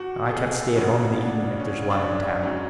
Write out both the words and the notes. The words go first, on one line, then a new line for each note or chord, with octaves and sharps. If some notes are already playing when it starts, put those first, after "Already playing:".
I can't stay at home in the evening if there's one in town.
Already playing: E2 F#4
A4
G#4
D2 C#3 E3 F#4
D4
C#4
D4
C#4
G#2 F#3 C#4